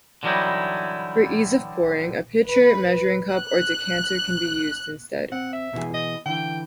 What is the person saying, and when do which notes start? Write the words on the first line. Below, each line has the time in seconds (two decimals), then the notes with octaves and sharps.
For ease of pouring, a pitcher, measuring cup, or decanter can be used instead.
0.23 D3 E3 F#3 G3 D#4 E4
2.47 B4
3.33 F#6
5.32 C4 F#5
5.53 E5
5.73 B2 E3 G#4
5.94 D#5
6.26 D3 E3 G5